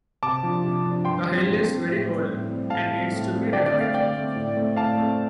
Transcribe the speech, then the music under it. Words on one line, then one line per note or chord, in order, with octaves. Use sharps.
The hill is very old and needs to be renovated.
C3 A5 D6
F3 D4
C3
F3 D4
G2 G5 C6
F3 C4
G2
F3 C4
A2
G3 C4
A2
G3 C4
A2 F5 A5
G3 C4
A2
G3 C4
D3 D5 G5
D5
A3 C4
F5
D3 D5 G5
A3 C4
A2
A3 C4
A2 F5 A5
A3 C4